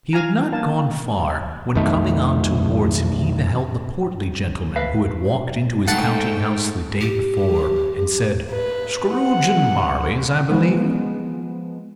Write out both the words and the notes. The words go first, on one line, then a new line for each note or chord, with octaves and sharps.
He had not gone far, when coming on towards him he beheld the portly gentleman, who had walked into his counting-house the day before, and said, "Scrooge and Marley's, I believe?"
F5 G#5 A#5
A#3 A5
B1 F2 D#3 A3
B4 E5 F5
G#2 A3 F#5 G5 A5
G4
B4
F#5
F3 G#3 B3